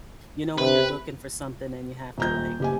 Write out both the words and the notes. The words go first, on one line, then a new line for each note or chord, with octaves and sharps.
you know, when you're looking for something and you have to like
C3 B4
D#1 A#5 G6
F#1 G4 G#5